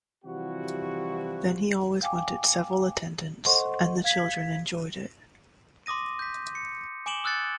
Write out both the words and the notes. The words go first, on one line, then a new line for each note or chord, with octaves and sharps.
Then he always wanted several attendants, and the children enjoyed it.
C3 E3 F3 G3 E4 F#4
F5 G5 G#5 D6
A4 C5 D#5 F#5 C6 C#6
F5 G#6 B6
C6 D6 D#6 A#6 D#7
G6 B6
C#7
G#5 D6 D7 E7 F#7 G7
D#6 E6 F#6 G6 A6 C#7